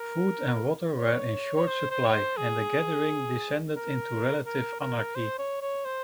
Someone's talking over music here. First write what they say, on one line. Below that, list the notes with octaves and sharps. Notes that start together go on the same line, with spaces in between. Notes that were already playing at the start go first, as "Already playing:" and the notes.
Food and water were in short supply, and the gathering descended into relative anarchy.
Already playing: A#4
C#5
C#5
C5
C5
C#5
C5
G#4
A#4
A#4
A#4
C5
C#5
C#5
C5